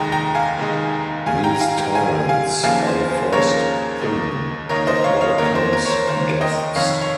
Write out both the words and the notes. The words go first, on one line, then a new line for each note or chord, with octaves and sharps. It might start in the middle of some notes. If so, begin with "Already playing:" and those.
These torans are the first thing that welcomes guests.
Already playing: F1 D#2 D#3 G#3 D#4 G5 A#5
G5 A#5
F5 G#5
F1 D#2 D#3 G#3 D#4
G#2 D#3 G3 F5 G#5
G5 A#5
A#5
F5 G#5
G5 A#5
G#2 D#3 G3 F5 G#5
F5 G#5
D#2 C#3 F3 A#3 F5 G#5
C5
C5
D#2 C#3 F3 A#3 A#4 C#5
D#2 D#3 A#3 D#4
D#2 D#3 A#3 D#4 A#4 C#5
C5 D#5
C#5 F5
C#5 F5
D#2 D#3 A#3 A#4 C#5
C5
A#4
C#5
C5
D#2 D#3 A#3 C5
D#5 G5
F1 F2 D#3 C#5 F5
C#5